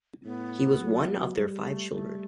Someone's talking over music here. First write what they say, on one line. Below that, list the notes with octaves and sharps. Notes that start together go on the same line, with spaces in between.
He was one of their five children.
A2 B3
F#3
G3 A3
A3
G3 A3